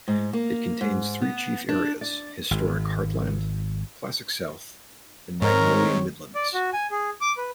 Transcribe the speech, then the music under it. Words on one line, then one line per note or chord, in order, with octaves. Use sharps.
It contains three chief areas: Historic Heartland, Classic South, and Magnolia Midlands.
G#2
A#3
G#2
B3
D4
D5
G#1
G#2 D#3 C4 A#4 C#5
D5
F#4
G#5
G#4
D6
B4